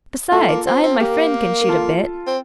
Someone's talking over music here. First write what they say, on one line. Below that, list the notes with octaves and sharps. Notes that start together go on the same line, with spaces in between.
Besides, I and my friend can shoot a bit.'
A3 F4 A4
A#3
C4
C4
A#3 G4 A#4
A#4
F4 A4
C4